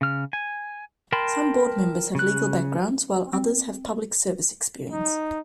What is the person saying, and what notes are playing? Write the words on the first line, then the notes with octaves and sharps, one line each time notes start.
Some board members have legal backgrounds while others have public service experience.
C#3 F6
G#5
A#4 G5 A5 B5 C6
C#3 F#6
C4
D#4